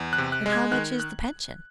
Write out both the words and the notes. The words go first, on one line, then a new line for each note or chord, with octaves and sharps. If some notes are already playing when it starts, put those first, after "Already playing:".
"And how much is the pension?"
Already playing: E2
F#6
C3
F#6
G#3
G#6
D#3 F#6
F#6